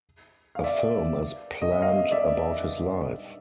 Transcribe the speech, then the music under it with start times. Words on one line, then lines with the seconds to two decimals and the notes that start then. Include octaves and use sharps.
A film is planned about his life.
0.55 F5
0.64 D5 E5
1.62 D#5
1.72 E5
1.82 D#5 F5
2.11 D5 E5